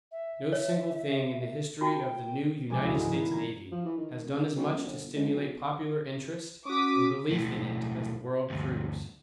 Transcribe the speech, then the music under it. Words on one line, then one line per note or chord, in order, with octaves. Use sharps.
No single thing in the history of the new United States Navy has done as much to stimulate popular interest and belief in it as the world cruise.
E5
C#5
F4 F#4 G5 A5
A#1 C3 G#3 D4 G#5 D6
D2 D3 E3 E4 F#4 D#6
G#2 C#3 G3
E3 A#3 B3
C#4 A#5 G#6
F3
E3
D#3
D#1
D3
B1
F#1
G1
C#2
B1
C#4 F#4 D6 D#6 B6
B1 A2
D2 G2